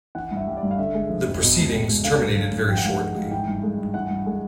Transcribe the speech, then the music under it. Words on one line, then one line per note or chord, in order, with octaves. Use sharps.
The proceedings terminated very shortly.
E3 F#5
G2
E5
G3
D5
G2
F5
D3 E5
G#3
F3
F2
B2
C#2
G#3
C#2
D3 F5
G2
F#3
G2
F3 G5
F#5
G#2 F5
F#5
G#3
G#2
E3 G5
G2
G#3
G2
E3 F#5
G2
G#3